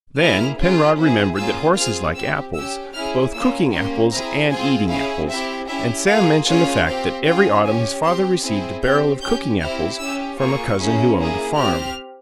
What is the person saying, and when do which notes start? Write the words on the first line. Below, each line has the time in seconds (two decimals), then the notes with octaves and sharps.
Then Penrod remembered that horses like apples, both "cooking-apples" and "eating-apples", and Sam mentioned the fact that every autumn his father received a barrel of "cooking-apples" from a cousin who owned a farm.
0.18 A#3 E4 G#4 F6
0.57 C#4 F4 G#4
0.97 C4 E4 G#4
1.36 A#3 C#4 F4 G#4 E6
1.75 C4 F4 G#4 F6
2.15 C4 G4 E6
2.54 C#4 G4 E6
2.93 C#4 E4 G#4 F6
3.32 A#3 C#4 F4 E6
3.71 A#3 C#4 G4 C6
4.10 C4 E4 G#4 A#5
4.50 C4 F4 G#4 G#5
4.89 C#4 E4 G#4 F5
5.28 C4 E4 G4 E5
5.68 C#4 E4 G4 E5
6.07 A#3 F4 G#4 F5
6.46 A#3 C#4 F4 G#4 C#5
6.85 C4 G4 F5
7.24 C#4 F4 G#4 G5
7.64 C#4 G4 G#5
8.03 C4 G4 C6
8.42 C4 E4 G#4
8.81 C4 G4 G6
9.21 C#4 G4 G6
9.60 C4 E4 G4 F6
9.99 C#4 G4 E6
10.38 A#3 F4 G#4 C#6
10.78 A#3 C#4 E4 G#4
11.17 A#3 E4 G#4
11.56 C4 G4 F6